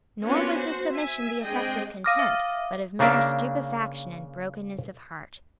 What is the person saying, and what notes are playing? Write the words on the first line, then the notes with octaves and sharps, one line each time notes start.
Nor was this submission the effect of content, but of mere stupefaction and brokenness of heart.
A#3 B3 C#4 D4 F4 F#4
F#4 C5
E5 G#5
G#3 C4 D4 G#4 D#5 G5
F5 D6 D#6 F6 A#6 D#7
E5
C#3 A#3 D4 A#4 E5